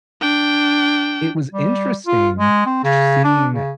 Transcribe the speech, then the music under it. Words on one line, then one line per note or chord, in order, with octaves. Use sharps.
it was interesting sh seeing
D4 G5
G3
F4
G#3
C4
C#3
D4
C#3